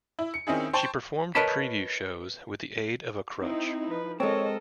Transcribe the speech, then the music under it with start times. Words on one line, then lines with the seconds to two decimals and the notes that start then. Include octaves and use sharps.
She performed preview shows with the aid of a crutch.
0.19 E4
0.34 C#7
0.47 D#3 C4 C#4 D#4 E4 G#4
0.73 C5 G5 A5 C#6
1.35 A#4 B4 C#5 D#5 A5 B5
3.38 C4 D#4 E4
3.90 F3 B4
4.20 G#3 C4 A4 A#4 C#5 D#5